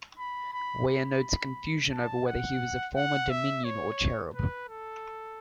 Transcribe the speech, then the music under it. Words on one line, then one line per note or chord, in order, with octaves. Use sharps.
Weyer notes a confusion over whether he was a former Dominion or Cherub.
B5
B5
B5
A5
F#5
F#5
E5
C#5
B4
A4